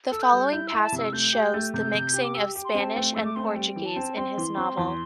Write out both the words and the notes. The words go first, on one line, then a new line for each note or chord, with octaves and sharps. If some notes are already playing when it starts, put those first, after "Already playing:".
The following passage shows the mixing of Spanish and Portuguese in his novel.
A4 E6
G6
G3
E4 G6
E4 E6
G5
A5
C3
E6
A3 G6
G4
A3
C3 G6
C3
G4
D6
G4 E6
G4
C6
C4
A5
A3 G5
A3 E6
D6
C4 C6
A5
G3 G5
E3
A5
C4
C4 C6
E3
C4
E2